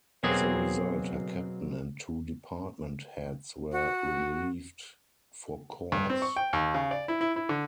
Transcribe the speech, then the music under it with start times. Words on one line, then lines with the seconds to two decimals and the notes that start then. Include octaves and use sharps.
As a result, her captain and two department heads were relieved for cause.
0.24 B2 F#3 A#3 C4 G#4
3.72 F#4
5.92 G2
6.10 C4
6.22 C#6
6.36 G5
6.53 D#2
6.74 C#3
6.91 D5
7.08 E4
7.21 E4
7.36 E4
7.49 D3